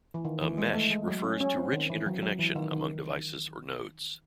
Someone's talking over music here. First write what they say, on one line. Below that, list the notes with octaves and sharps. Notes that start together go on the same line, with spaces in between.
A mesh refers to rich interconnection among devices or nodes.
E3
D#3
E3
G#3
A3
G#3
F#3
C#4
C#4
C4
D#3
E3
F#3
F#3
E3
D#3
D#3